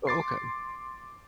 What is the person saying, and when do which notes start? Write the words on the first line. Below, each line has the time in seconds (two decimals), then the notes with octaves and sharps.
Oh, okay.
0.07 C6 D6 A6 C7